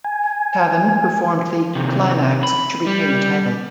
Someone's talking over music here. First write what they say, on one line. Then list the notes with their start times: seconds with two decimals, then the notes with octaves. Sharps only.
Taven performed the "Climax" to retain the title.
0.04 G#5
1.75 C3 D#3
2.43 B5
2.87 G3